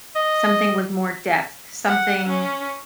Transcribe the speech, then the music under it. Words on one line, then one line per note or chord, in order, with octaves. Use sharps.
Something with more depth. Something
D#5
F#5
C#4